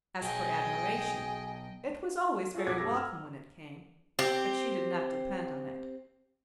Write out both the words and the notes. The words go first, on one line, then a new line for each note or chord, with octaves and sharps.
As for admiration, it was always very welcome when it came, but she did not depend on it.
B1 G#4 D#5 G5
F4 F#4 G#4 A4 C#5
B1 F#5 D6 F#6 G#6
G2 G3 A4 D6 A#6
A#5 E6 F6
C4 G4